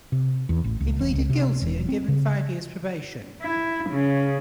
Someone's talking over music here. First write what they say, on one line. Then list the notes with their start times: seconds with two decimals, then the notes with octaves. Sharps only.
He pleaded guilty and given five years probation.
0.12 C3
0.49 E2
0.64 A1
0.80 C#2
0.99 E1
1.13 C#2
1.30 C3
1.62 E1
1.89 C4
2.08 C#3
3.42 E4
3.91 C#3